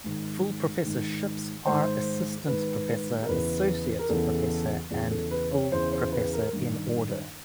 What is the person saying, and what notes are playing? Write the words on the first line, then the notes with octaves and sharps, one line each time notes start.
Full professorships are assistant professor, associate professor, and full professor in order.
G#2 D#3
G#2 D#3
G#2 D#3 C5
G#2 D#3 B4
A#4
E2 C#3 E3 B4
A#4
E2 C#3 E3 A4
E2 C#3 E3 G#4
A4
B4
C#5
E2 C#3 E3 C5
C5
B4
A#4
G2 D#3